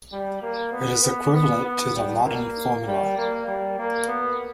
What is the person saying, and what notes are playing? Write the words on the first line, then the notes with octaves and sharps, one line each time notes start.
It is equivalent to the modern formula.
G3
A#3
B3
B3
B3
B3
G3
A#3
G3
A#3
G3
A#3
B3